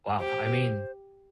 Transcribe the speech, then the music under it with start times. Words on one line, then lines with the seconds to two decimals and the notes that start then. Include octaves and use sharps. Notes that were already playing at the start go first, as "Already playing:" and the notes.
Wow, I mean,
0.19 G4 C5